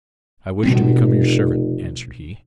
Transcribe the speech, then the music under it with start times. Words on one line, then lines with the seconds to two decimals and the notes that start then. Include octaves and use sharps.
'I wish to become your servant,' answered he.
0.63 F1 B2 G3 C4